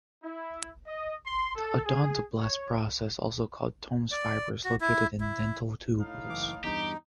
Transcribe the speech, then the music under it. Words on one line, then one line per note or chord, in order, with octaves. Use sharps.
The odontoblast process, also called Tomes fiber, is located in dentinal tubules.
E4
D#5
C6
A4
G#4
C#5
D5
F#4
E4
E4
A2 D#4 F5
F#1 E3 D6
E2 G2 D#4 G4